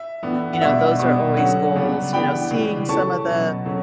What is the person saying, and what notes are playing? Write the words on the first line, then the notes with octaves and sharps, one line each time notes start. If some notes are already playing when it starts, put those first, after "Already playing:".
you know, those are always goals, you know, seeing some of the
Already playing: E5
A2 E3 B3 D4
F#5
B2 G3 B3 D4 E5
B2 G3 B3 D4
D3 F#3 C#4 F#5
C#3 G3 B3 D4
E3 B3 D4 G5 B5
C#3 E3 G3
E3 A3 C#4 A5 C#6
B2 F#3 B3
C#3 F#3 A3 C#4